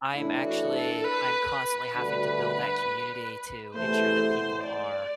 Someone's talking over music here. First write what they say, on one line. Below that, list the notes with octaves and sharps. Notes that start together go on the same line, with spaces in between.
I'm actually I'm constantly having to build that community to ensure that people are
A2 E3 A3 D4 E4
F#4
A4
B4
B4
D2 D3 G3 D4 F#4
E2 C3 E3 A3 C5
D5